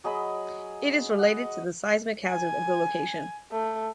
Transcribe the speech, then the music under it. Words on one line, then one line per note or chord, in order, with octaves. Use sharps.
It is related to the seismic hazard of the location.
F#3 G#4 D#5 B5
D#5 F#5
G#5
A3